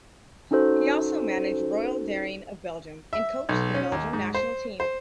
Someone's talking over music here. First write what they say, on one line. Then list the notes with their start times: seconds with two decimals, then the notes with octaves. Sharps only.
He also managed Royal Daring of Belgium and coached the Belgium national team.
0.51 C#4 D#4 F#4 A4 C5
3.13 E5
3.49 B1
3.74 C#4
3.92 D#2
4.13 G#2
4.34 C5
4.80 C5